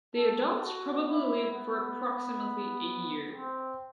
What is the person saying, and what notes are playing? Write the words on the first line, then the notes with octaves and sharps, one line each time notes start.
The adults probably live for approximately a year.
A4
F#4
E4
B3
C4